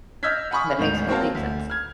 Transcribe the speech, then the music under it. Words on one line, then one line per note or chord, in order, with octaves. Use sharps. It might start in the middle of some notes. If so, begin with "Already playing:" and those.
That makes complete sense.
D#5 E6 F6 G6 G#6 B6
F#5 G#5 B5 C#6 D#6
G#1 D2 G#2 G6 F7
A#3 C4 F#4 C#5 F5 A5
D2
F6 G#6